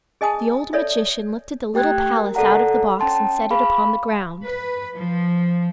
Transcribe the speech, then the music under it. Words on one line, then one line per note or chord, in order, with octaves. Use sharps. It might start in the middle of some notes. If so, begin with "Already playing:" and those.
The old magician lifted the little palace out of the box and set it upon the ground.
G#4 D#5 G#5 A5 D#6
A4 C#5 D5 E5
A3 G4 G5 F#6 G#6
A#4
A4 D5 F#5 A#5
C#4 G5 A5 C6
G#4 F5 B5
B4
F3